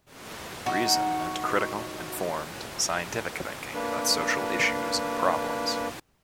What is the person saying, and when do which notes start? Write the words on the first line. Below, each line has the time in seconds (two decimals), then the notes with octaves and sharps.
Reason meant critical, informed, scientific thinking about social issues and problems.
0.66 D#4 F#4
3.74 A#3 D4 B4